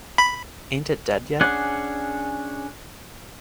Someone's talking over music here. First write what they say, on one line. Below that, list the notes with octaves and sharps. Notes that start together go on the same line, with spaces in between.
Ain't it Dead Yet?
B5
C#4 D4 G#4 F#5